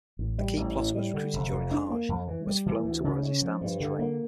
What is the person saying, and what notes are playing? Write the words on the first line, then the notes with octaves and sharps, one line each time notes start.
The key plotter was recruited during Hajj and was flown to Waziristan to train.
A1
G3
A1
A2
G3
D3
F1
F2
D4
A#3
F2
E3
G3
E3
D2
C#3
C#4
F3
G2
D3
A#3